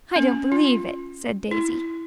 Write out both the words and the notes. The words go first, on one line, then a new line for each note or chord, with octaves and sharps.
"I don't believe it!" said Daisy.
C#4
F4
E4